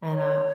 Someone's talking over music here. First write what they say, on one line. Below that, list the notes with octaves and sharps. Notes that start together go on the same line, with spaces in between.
and a
C#5